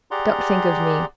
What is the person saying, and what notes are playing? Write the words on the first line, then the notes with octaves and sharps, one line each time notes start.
Don't think of me.
G4 G#4 D5 F#5 A#5 C6